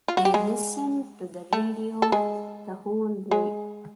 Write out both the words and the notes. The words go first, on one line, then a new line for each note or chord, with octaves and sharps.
They listened to the radio the whole way.
F4
F#4
G4
G#3 G#4
A3 A4
A4
G#3 G#4
G#3 G#4